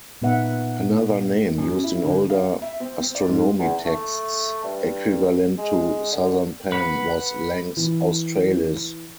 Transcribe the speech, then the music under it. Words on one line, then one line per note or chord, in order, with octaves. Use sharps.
Another name used in older astronomy texts, equivalent to "southern pan", was "Lanx Australis".
A#2 B3 D#4 B4 E5 F#5
F#2
E4
D3
F5
E5
C4
C4
D5
G#2
E2
A3
G2
G#3
D3
B4 F#5 B5
E3